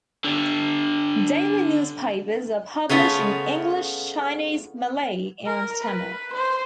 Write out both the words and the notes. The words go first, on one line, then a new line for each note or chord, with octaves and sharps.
Daily newspapers are published in English, Chinese, Malay, and Tamil.
D3 G4
C#3 A3 B3 D#4 F4
A#4
B4
C5